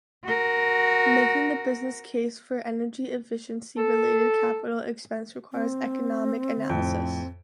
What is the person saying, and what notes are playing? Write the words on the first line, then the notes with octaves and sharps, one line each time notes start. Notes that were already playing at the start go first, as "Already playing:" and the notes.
Making the business case for energy efficiency-related capital expense requires economic analysis.
F#4 A#4
A4
C4
F2 A2